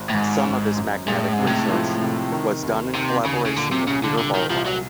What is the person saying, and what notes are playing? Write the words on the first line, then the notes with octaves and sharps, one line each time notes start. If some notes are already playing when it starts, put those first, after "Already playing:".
Some of his magnetic research was done in collaboration with Peter Barlow.
Already playing: G#1
A2
G#1 G#2
G#1
F#2
A#2 G#3
A2
G#2
C3
A2
F3
C3
D#3
D#2
D#2 C3
D#2 C#3
C#3
A#2 D3
C3
C2 C#3
D3
C2 D3
D#3
C2 F3
F#3